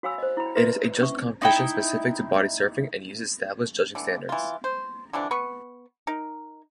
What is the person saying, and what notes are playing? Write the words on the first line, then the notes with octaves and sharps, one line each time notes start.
It is a judged competition specific to Bodysurfing and uses established judging standards.
F#4 C#5 F5 G#5 B5 E6
C5 D#5
E4 B5
B4 D5 E5 C6
C#4 E5 C#6
D#4 E4 G5
D3 E3
E3 F4
C5
D3 E3 F3 D4
B3 B4 C#6
D#4 A#4